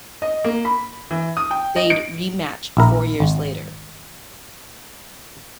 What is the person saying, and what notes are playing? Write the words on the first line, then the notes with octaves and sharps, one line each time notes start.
They'd rematch four years later.
D#5
A#3
B5
E3
D#6
G5
D#5
D7
A#1 E4 A#4
G#1